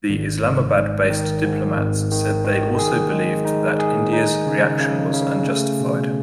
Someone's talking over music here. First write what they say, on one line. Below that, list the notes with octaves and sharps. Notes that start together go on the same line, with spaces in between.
The Islamabad-based diplomats said they also believed that India's reaction was unjustified.
G#1
G#2
G#2
D#3
G#2
G#1
D#3
D#3
G#4
G#3
D#4
G#4
D#4
C#3
C#3
C#3
A3
B2